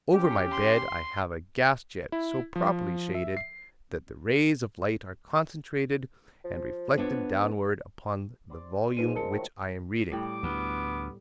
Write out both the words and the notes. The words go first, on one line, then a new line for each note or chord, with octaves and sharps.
Over my bed I have a gas-jet so properly shaded that the rays of light are concentrated and reflected downward upon the volume which I am reading.
C#4 G4
C6
E4
F3
E5
C7
F3
B3 D4 C#5
D5 C6 D6
F3 G#3 D#4 B4 D#7
A#4 A5 C#7
A2 D#3 F#4
A2 G3 D6
D2 B3